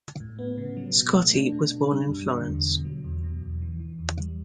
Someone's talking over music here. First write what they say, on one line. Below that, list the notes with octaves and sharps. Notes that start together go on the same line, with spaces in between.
Scotti was born in Florence.
A2
B3
C#3
F#3
B2
A3
D4
B2
D4
G3
F#2
D3
E2
B2
F#3
E2
B2
E2
E3
E3
E2
G3